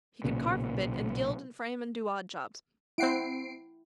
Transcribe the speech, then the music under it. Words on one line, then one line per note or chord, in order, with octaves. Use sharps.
He could carve a bit, and gild and frame, and do odd jobs.
B1 A#2 C#3
C4 E4 F#5 G5 C7 D7